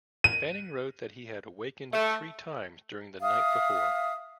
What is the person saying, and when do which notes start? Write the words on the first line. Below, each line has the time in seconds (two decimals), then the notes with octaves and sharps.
Fanning wrote that he had awakened three times during the night before.
0.24 D#7
1.93 A3
3.21 E5 F5 D#6